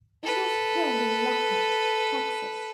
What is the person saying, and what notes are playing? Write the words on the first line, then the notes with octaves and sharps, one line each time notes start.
It was filmed in Lockhart, Texas.
A4 B4